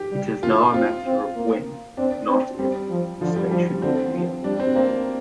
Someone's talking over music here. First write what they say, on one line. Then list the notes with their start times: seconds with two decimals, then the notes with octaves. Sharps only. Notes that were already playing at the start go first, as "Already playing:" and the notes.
It is now a matter of when, not if, the station will reopen.
Already playing: G4
0.12 G3
0.42 A#3 F4
0.73 C4 F4
1.05 C4
1.36 A#3
1.97 C4 D4
2.28 C4
2.59 G3 C4
2.90 F3
3.21 D3 F3
3.36 G3
3.51 F3 G3
3.82 D3 C4
4.13 F3
4.44 G3 D4
4.60 C4
4.75 A#3 C4